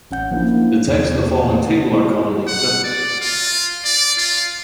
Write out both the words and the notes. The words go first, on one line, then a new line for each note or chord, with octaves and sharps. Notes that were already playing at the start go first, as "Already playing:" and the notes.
The types in the following table are commonly accepted.
A1 C#4 F#5 G6
F3 A#3 D4 E4
E2
F#5
D5
F4
D5
F4